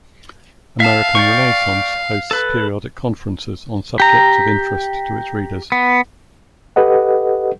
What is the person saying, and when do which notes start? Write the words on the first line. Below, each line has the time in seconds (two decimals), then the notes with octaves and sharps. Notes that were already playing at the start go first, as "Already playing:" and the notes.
American Renaissance hosts periodic conferences on subjects of interest to its readers.
0.80 E5 F5 A5
1.15 D5 G5 C#6
2.31 A4 B4
4.00 G4 A#5
5.72 B3
6.76 G4 A4 B4 D#5 F#5